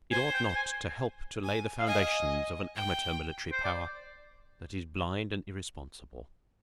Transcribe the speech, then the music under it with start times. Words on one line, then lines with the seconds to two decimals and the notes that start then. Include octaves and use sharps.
It ought not to help to lay the foundations of an amateur military power that is blind and irresponsible.
0.12 C5 G#5
0.33 G5
0.55 G#5
1.44 G#5
1.79 F5
1.87 D#5 G#5
2.76 G5
3.52 C5
3.64 D5